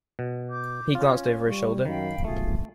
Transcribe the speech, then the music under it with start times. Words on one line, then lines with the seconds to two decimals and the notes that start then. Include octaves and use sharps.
He glanced over his shoulder.
0.19 B2
0.49 D6 G6
0.95 C#4 F4
1.48 G3 C#6
1.85 F#2 D#3 F5 G5 B5
2.25 B1 A3 F4 G#4